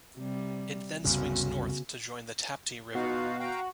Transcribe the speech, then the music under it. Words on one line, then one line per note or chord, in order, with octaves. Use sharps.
It then swings north to join the Tapti River.
C3 G3
C2 F#2 C#3 B3 C#4 F#4
B2 D#4 F4 F#4 F5
F5 G5 A#5